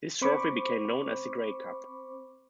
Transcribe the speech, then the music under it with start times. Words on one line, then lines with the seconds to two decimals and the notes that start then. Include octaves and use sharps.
This trophy became known as the Grey Cup.
0.22 C4 C5 B5 C#6 D6